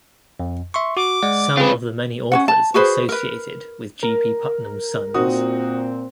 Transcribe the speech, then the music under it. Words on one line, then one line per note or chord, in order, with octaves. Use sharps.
Some of the many authors associated with G. P. Putnam's Sons.
F2
E5 C6 C#6
F#4 D6
G#3 D5 F#5
C4 F4 G#4 B4
C#4 F#4 F#5
A5
F#4 G#4 B4 C5
A#4 B4
A#4
A#2 C4 D#4 F#4 D#6